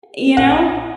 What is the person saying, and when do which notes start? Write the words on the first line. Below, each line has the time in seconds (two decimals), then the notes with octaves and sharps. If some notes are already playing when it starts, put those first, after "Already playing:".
You know?
0.37 A#1 F#5